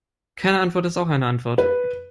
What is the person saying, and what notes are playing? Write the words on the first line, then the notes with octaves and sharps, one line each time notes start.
Keine Antwort ist auch eine Antwort.
B4